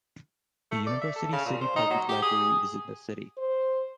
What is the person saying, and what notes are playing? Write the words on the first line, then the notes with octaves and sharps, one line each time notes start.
The Universal City Public Library is in the city.
A3
D5
E5
A4
C#3
A#2
C5
D#4
F#3
G4
G#4
C5